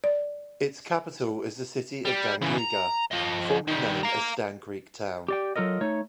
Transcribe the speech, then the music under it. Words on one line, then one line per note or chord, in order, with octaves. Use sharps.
Its capital is the city of Dangriga, formerly known as Stann Creek Town.
D5
G3
C#3 E3
A#5
F3 D#5
D#3 G3
F5 A#5
G4 D5 G5
F#3 F4 A4 A#4 D#5
A3 D#4 C#5